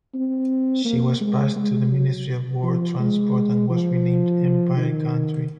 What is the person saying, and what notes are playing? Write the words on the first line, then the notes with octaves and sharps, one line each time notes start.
She was passed to the Ministry of War Transport and was renamed "Empire Gantry".
C4
A#3
G#3
G#3
F#3
F3
G#3
F3
D#3